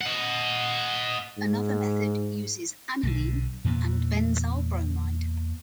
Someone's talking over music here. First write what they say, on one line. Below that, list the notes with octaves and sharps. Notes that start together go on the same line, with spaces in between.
Another method uses aniline and benzyl bromide.
D#5 F#5
G#2
B1 D3
E2 A#2 E3 B3